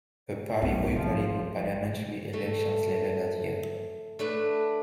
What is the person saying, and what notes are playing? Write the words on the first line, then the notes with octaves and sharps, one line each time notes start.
The party boycotted the parliamentary elections later that year.
B1 B3
G#1 F3 C#4
A3
A3 D4 B4